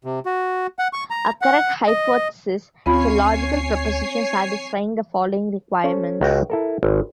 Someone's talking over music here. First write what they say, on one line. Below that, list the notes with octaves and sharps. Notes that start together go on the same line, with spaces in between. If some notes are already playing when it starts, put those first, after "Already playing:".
A "correct hypothesis" is a logic proposition satisfying the following requirements.
C3
F#4
F#5
C#6
A#5
F#5
D#5
D2 C4 C#4 F4 C#5 G#5 B5 C7
C#4 A4 C5
C#2 F#4 D#5 G5
E4 A4 A#4
G#1